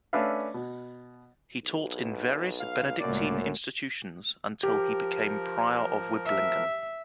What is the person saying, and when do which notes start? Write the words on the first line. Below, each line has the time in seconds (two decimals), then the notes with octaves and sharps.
He taught in various Benedictine institutions until he became prior of Wiblingen.
0.13 A3 C#4 D4 B4 E5 F5
0.54 B2
1.62 B1
2.60 F5
3.00 C#2 F#2 A2 A#3 D5
4.63 F3 G4 A#4
6.25 E5